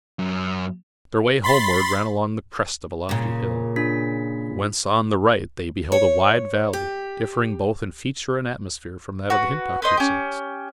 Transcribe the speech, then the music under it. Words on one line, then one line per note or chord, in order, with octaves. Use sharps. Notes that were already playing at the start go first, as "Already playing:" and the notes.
Their way homeward ran along the crest of a lofty hill, whence on the right they beheld a wide valley, differing both in feature and atmosphere from that of the Hintock precincts.
F#2
B5 C6 A6 B6
A#2 C#3
D4 F4 B6
C#5
G4
F#4 B4
B4 C5 D#5 C6
C#4 G4